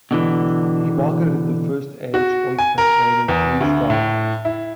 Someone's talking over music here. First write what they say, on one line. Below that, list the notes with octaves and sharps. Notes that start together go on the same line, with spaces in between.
He marketed the first-aid ointment known as "Blue Star".
B2 D3 E3
F#4
G#5
A#4
E2
D2
A2
E4